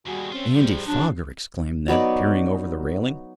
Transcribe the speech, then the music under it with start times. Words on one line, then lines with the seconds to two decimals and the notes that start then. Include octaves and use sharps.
"Andy Foger!" exclaimed Ned, peering over the railing.
0.07 D#2 B2 G3 F#4 G#4
0.32 C4 C#4 F4 A4
0.53 G#2 C3 F3 G3
0.88 G2 C#3 F#3 D4
1.04 D#2
1.88 F#3 B3 D#4 D5